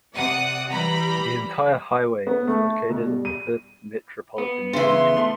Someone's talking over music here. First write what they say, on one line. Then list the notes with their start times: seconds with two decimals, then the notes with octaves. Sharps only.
The entire highway is located in the Perth Metropolitan Region.
0.13 C3 D5 F#5 D#6
0.69 E3 G3 A#5 B5
2.27 B3
2.47 A3
2.90 B2
3.06 G3
3.25 D#7
4.38 B3
4.73 C#3 E3 C6
4.88 C6
5.17 A3